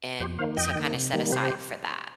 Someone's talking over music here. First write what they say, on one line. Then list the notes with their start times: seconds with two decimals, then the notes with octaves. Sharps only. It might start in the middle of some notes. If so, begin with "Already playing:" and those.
and so kinda set aside for that.
0.20 F2 G4 C5
0.38 D#3 A#3 C5 F5
0.57 F2 D#5 G5
0.76 D#3 A#3
0.94 C3
1.13 D#3 G3 A#3
1.32 C3 G4 C5